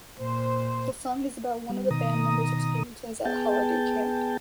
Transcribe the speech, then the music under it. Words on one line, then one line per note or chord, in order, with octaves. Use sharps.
The song is about one of the band members' experiences at a holiday camp.
A#2 C5
G3
B2 D#3 A#5 D#6
B3 G#4 G5 A5